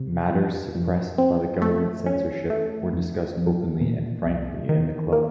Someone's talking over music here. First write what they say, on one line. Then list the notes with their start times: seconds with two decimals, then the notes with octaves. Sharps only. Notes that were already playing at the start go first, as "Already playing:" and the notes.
Matters suppressed by government censorship were discussed openly and frankly in the club.
Already playing: C3
0.31 F2
0.75 F2
1.18 C4
1.62 A3
2.06 C#4
2.50 A3
2.93 F2
3.37 F2
3.81 A#2
4.26 C2
4.69 D#3
5.13 A#3